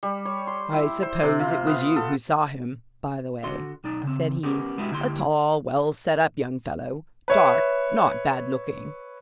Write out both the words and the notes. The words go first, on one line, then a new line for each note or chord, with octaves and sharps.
"I suppose it was you who saw him, by the way," said he, "a tall, well-set-up young fellow--dark--not bad looking."
G3
C#5
C6
E4
C5
C3
F4
B3
A4
D3 F#4 C6
B1 D#4 D5
C#3 C4
B3 C#4 G4 A#4
G#3 B3 D4 E4 F#4 G4
D3 A#3 E4 G4 C6
B4 C#5 E5